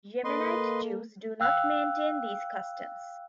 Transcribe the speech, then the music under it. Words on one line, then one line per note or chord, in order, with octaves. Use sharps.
Yemenite Jews do not maintain these customs.
A#3 A4 B4 D#5 C6
F5 G5 E6 F#6